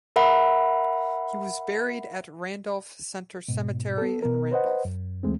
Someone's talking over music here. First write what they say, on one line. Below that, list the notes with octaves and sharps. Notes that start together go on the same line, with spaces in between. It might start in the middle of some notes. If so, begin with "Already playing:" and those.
He was buried at Randolph Center Cemetery in Randolph.
A#4 E5 F#5 B5
G#2 B2
B3 A4
B2 B3 A#4
B4 C5 D#5 F#5
F#2
D2 E3 G#3 A3 C4